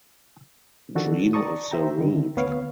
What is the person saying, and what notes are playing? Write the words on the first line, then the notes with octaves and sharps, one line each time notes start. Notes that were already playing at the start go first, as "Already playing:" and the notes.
Dream of the Rood.
D#3 F3 D4 F#4 A4
D5 A5 A#5 C#6 D#6
C5 E5 G5 A#5
D3 D#3
D2 B3 C#5 F5